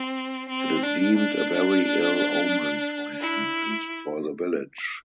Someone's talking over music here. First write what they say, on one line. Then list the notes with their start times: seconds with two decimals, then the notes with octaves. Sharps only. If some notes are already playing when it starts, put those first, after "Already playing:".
It is deemed a very ill omen for him and for the village.
Already playing: C4
0.49 C4
0.83 D4
1.16 D4
3.21 E4